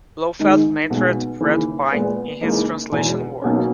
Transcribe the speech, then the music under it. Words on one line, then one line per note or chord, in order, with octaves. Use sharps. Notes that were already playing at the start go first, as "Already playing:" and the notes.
Blofeld mentored Red Pine in his translation work.
G#2 D#3 G#3 D#4
B1 B2 G#3
D#2 C#3 E3 A#3
A#2 G#3 B3
C#2 C#3 E3 A#3 D#4
E1 E2 B2 G#3
B1 B2 A#3 C#4